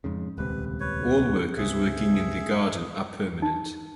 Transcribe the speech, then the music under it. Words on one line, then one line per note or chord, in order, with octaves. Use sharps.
All workers working in the garden are permanent.
F2 G#2 C#3
D#1 C#2 C3 B4
B4 C#5
C#2 C3 G#4 E5
D#4